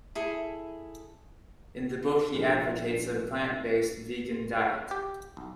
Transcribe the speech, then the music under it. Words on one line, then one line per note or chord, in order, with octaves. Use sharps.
In the book he advocates a plant-based vegan diet.
E4 G#4 A4
A#1 A#2 C#4 D4
G4
B1